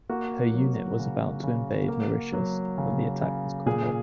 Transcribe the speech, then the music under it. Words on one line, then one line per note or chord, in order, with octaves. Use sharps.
Her unit was about to invade Mauritius, but the attack was called off.
A#3 F#4
F#3
C#3
C#3
A#3
F#3
C#3
C#3
A#2 G#4